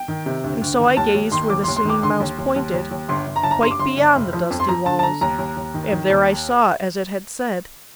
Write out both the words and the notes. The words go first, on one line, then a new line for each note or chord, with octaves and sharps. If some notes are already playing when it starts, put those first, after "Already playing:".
And so I gazed where the Singing Mouse pointed, quite beyond the dusty walls, and there I saw as it had said.
Already playing: G5
D#3
C3
D2
D2
D#3
D#2 A5
D#2
D#3 C6
D#2 D6
C6
D#2
C6
D#3 D6
D3 C6
D#2
D#2
D#2
D#2
D#2
G1 C6
G1
A#5
G1 A5
A#5
G2 C6
D6
G1 C6
G1
F1
F3
F2
C6
F3 A#5
D3 A5
A5
D3 A#5
D#2 A#5
D#2
D#2
D#3
D#3
D#2